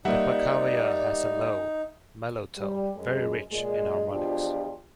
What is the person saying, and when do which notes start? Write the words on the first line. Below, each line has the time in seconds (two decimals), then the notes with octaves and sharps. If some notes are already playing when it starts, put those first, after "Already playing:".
The pakhavaja has a low, mellow tone, very rich in harmonics.
0.05 G3 A#3 D#4 D5 E5 F#5
2.57 G3
2.96 F#2 G#3
3.51 A#2 G#3
4.10 E2 B2 F3 D4 F4 G4